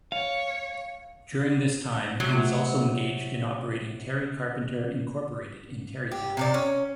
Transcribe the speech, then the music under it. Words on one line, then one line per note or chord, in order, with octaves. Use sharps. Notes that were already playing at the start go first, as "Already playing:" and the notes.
During this time, he was also engaged in operating Terry Carpenter, Incorporated in Terrytown.
C#5 F5
C3 F#3 G#3 A3
G4
C3 D#4 D5
C#4